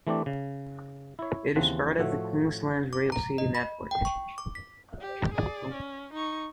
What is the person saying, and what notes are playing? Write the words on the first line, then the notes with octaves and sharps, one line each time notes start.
It is part of the Queensland Rail City network.
E3 A3 C4 D4 G4 D5
C#3
E4 C#5
D#2 C#3 E3 C4 F#5 A5
A2 F3 A3 F#4 A4 C#5
D6
A#5
D#5
B5
G5
C#6
D6
B6
G4
G#4 D5
C#4
D#4 C#6